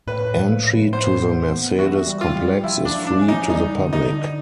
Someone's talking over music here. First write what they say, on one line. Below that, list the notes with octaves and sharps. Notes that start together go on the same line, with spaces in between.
Entry to the Mercedes complex is free to the public.
A2 B4
F3
A2
B3 C5
B3
B3
E3 F#4
G3
F4
G3
F3 E4
D4
F3
D4
C#4
D#4
G3 D#4
D3
D#4
D3